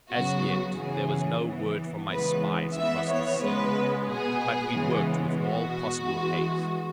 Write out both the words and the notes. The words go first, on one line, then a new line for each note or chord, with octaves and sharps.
As yet there was no word from my spies across the sea; but we worked with all possible haste.
C#3 F#3 B3 F#4
C#3 E3 B3 G#4
E3 B3
C#3 E3 G#3 B3 B4
E3 B3 E5
C#5
C#3 G#3 B3 B4
B2 B3 G#4
C#3 E3 G#3 B3
B2 B3 F#4
E3 G#3 B3